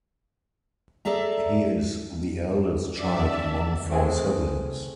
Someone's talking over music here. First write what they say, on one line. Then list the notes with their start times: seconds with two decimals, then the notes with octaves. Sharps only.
He is the eldest child among four siblings.
1.05 G#4 A4 D5 E5 A#5
2.98 C#4 D5 E5 A5
3.90 A3 C4 G#4